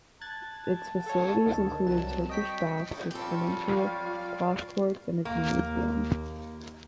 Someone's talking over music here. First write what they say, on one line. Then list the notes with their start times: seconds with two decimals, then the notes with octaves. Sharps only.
Its facilities included Turkish baths, a swimming pool, squash courts and a gymnasium.
0.21 A5 F#6 G#6 A6
1.06 A4 C#5
1.46 D2 D#3
1.86 C2 F#3 E7
2.30 D#5 G5 C#6 B6
3.11 F3 G3 C4 F4 G4 A4 C#5
3.68 D5 F5
5.25 D#2 A#3